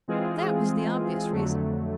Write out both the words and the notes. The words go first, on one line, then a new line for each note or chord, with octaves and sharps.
That was the obvious reason.
E3 G#3 C4 F4 G#4
F2 D3 F#3 A3